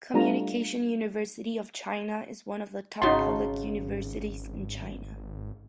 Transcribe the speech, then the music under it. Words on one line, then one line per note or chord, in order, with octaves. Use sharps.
Communication University of China is one of the top public universities in China.
G3 A3 D4 F4 A#5
G#1 C#3 D#4 F#4 A5 B5 C6